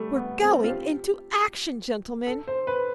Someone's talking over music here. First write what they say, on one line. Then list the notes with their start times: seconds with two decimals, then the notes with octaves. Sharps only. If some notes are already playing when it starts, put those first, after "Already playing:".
"We're going into action, gentlemen!"
Already playing: G3 A3
0.15 B3
0.42 C4
0.64 F4
0.68 G4
2.27 A4
2.47 C5
2.67 B4